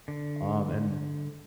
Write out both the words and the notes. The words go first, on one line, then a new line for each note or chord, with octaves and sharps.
um, and
D3